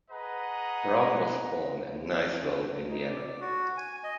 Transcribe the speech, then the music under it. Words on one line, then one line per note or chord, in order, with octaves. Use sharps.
Brown was born in Nyesville, Indiana.
G#4 B4 D#5 F#5 A#5
D#4
D5
F#4
G#5
D#5